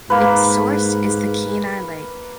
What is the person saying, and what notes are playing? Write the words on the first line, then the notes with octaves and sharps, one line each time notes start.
Its source is the Kenai Lake.
G#2 A#3 B4